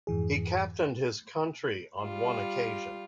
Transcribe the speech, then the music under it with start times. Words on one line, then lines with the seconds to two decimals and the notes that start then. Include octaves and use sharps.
He captained his country on one occasion.
0.07 F2 G#2 E3 G#4
2.02 G3 F4